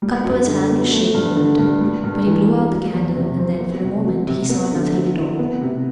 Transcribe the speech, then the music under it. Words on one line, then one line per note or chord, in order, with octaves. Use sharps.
Cuthbert's hand was shaking a little, but he blew out the candle, and then, for a moment, he saw nothing at all.
G3
F#2
D3
B3
A3
G2
D3
G2
G3
G2
E3
B3
F#3
E2
C3
C4
B3
C3
F#3
C3
B3
D3
F#3
E4
B3
C3